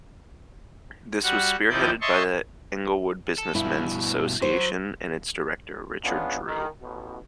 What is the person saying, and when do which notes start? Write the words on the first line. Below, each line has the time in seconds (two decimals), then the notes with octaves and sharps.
This was spearheaded by the Englewood Business Men's Association and its director, Richard Drew.
1.23 G3 F#4 F#5
1.70 D#2 F3 D#4 E4 D5 G6
2.01 C#5 D#5 E5 A5 C6 C#6
3.38 A4
3.55 G2 B2 E4
4.42 F#3 C5
6.04 G#3 B3 C#4 D4 F4
6.46 D#3
6.80 A1 B2